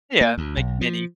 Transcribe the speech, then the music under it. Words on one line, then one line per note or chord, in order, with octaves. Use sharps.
Yeah, make many
A#3
D2
B1
F3